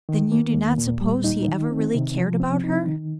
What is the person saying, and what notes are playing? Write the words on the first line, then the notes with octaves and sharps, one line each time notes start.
"Then you do not suppose he ever really cared about her?"
D#3
A#3
D#2
A#2
G3
D#4
D#3
C4
C3
F3
C4
D#4
D#3